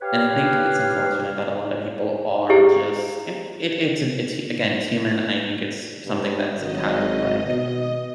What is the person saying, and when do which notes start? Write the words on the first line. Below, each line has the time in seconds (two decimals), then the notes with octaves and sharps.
and I think it's unfortunate that a lotta people are just it it's it's again, it's human, I think it's something that's entirely, like,
0.02 G4 B4 C#5 F5
2.49 E4 G4 G#4 F5
6.05 G2
6.59 G#1 F#3 D#5
7.44 B2